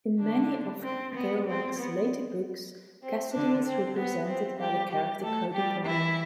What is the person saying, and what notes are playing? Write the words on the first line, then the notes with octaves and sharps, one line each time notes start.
In many of Kerouac's later books, Cassady is represented by the character Cody Pomeray.
D3 D4
C4
B3
C4
B3
C4
D3 D4
C4
B3
C4
G3 G4
G3 G4
A3 A4
G3 G4
E3 E4